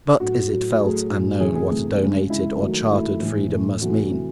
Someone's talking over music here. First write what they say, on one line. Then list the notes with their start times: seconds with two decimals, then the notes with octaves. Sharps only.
But is it felt and known what a donated or chartered freedom must mean?
0.20 A2 F#3 A3 F#4
0.50 A2 F#3 A3
0.80 A2 F#3 A3 G#4
1.10 A2 F#3 A3
1.40 C3 E3 A3 G#4
1.55 G#4
1.70 C3 E3 A3
2.01 C#3 G#3
2.30 C#3 G#3 E4
2.61 D#3 F#3 A3
2.90 D#3 F#3 A3 E4
3.20 A2 E3 A3
3.51 A2 E3 A3
3.82 C3 E3 A3 F#4
4.10 C3 E3 A3